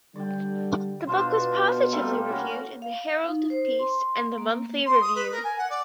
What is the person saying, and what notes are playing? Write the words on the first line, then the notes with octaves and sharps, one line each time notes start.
The book was positively reviewed in "The Herald of Peace" and "The Monthly Review".
D3 G3 D5 G5
B2 D4 F4 C5
G3 A3 A#3
C#4 F#4 B5
F5
D#4
C5
C6
A#3
C6
D#6
B4
A#4
G#5
F#5
D5